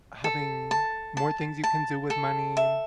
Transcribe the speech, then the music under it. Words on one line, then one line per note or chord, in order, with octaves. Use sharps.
having more things you can do with money,
A4
A5
A5
A5
A4
E5